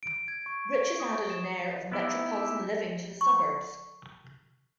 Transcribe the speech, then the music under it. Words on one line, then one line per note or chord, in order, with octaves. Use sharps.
Rich's added an air of metropolitan living to the suburbs.
D7
G#6
C#6
D#6
E7
B3 D#4 E4 G4
C#6